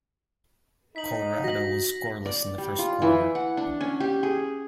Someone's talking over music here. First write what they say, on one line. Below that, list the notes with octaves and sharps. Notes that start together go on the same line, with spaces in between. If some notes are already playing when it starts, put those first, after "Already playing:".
Colorado was scoreless in the first quarter.
D#4 B6 F#7
F#4 A#6 F#7
D5
G3
F4
E3
F#5
D4
C#4
G4
G#4